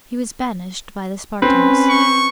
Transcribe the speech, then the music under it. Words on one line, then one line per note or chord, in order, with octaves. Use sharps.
He was banished by the Spartans.
C4 C#4 B4
C#6